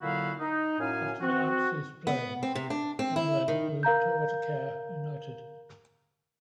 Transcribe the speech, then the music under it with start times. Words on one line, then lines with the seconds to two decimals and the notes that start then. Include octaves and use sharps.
After the Knights ceased playing, Emblen moved to Waitakere United.
0.01 A#2 D3 F#3 E4 F#4 F5
0.39 D#4
0.79 F#2 A2 C#4 F5 G#5
1.21 C4 F#4
2.07 B3
2.43 C4
2.55 C3
2.70 D4
2.99 C4
3.16 E4
3.48 D#3
3.83 A#4 F5 A#5 G6